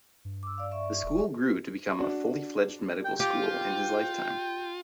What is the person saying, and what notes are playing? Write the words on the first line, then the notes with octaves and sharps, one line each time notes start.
The school grew to become a fully fledged Medical School in his lifetime.
G2
D6 E6
D5 F5
D5 E5 C#6
E1
D4 F#4
G5
F4 G4 G5